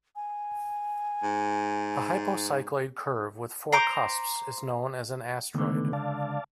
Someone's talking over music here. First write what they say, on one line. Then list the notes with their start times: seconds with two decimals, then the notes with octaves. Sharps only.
A hypocycloid curve with four cusps is known as an astroid.
0.16 G#5
1.23 G#2
3.72 C5 A#5 D6
5.54 C#2 D3 D#3 A3 B3
5.93 D5 F5 A5